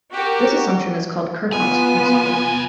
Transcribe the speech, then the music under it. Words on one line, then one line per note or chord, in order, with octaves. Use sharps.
This assumption is called Kerckhoffs's principle.
F#4 G4 A#4
C2 B3 F4 G#5